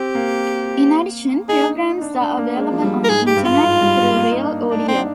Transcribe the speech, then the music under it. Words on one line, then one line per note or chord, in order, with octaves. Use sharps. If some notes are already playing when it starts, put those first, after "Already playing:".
In addition, programs are available on the Internet through RealAudio.
Already playing: C4 G4
A#3
D#4 G#4
D#4
D#4
D4
D4
A#3
G#3
F3
G3
A#4
G#2 G#4
G4
G2
F4
G#2
G3
G#3
A#3
D#4
D4
D4 D#4
C4
D4